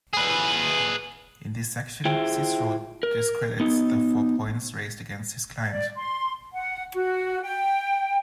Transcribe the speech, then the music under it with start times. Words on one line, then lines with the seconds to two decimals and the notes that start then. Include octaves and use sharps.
In this section, Cicero discredits the four points raised against his client.
0.14 G#4 B4
2.05 E4 F4 G#4 C5 E5 G5
3.03 A#4
3.60 B3 D#4
5.68 D5
5.96 C6
6.54 F#5
6.93 F#4
7.42 G5